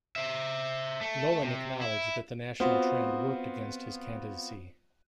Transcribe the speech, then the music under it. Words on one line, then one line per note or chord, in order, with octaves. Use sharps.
Loewen acknowledged that the national trend worked against his candidacy.
C5 E5
A3
C3
E4
B3 C4 F4 F#4 C5